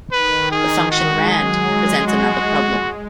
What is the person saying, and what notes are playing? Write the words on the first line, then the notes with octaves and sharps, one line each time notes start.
The function "rand" presents another problem.
D#3 B4
G#4
G#3 F#4
F#3 G#4
G#3
F#4